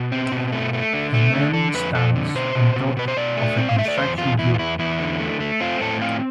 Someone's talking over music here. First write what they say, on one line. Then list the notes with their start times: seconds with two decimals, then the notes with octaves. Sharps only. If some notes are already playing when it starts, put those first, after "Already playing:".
A man stands on top of a construction vehicle.
Already playing: B2
0.12 C4
0.32 B2
0.52 A3
0.73 A3
0.94 D3
1.14 A3
1.34 D3
1.53 D3 A4
1.74 F2 B4
1.94 F2 A4
2.15 D3
2.35 B2 C5
2.55 B2
2.76 B2
2.97 B2 B4
3.08 C5
3.17 B2 D5
3.37 A3
3.57 C4
3.69 F5
3.78 A3 E5
3.88 D5
3.98 E2 C5
4.18 E2 F4
4.39 E2 E4
4.54 F4
4.59 E2 E4
4.79 E2 E4
4.99 D3
5.20 A3
5.41 A3
5.60 C4 F4
5.81 A2 A4
6.01 C4 F5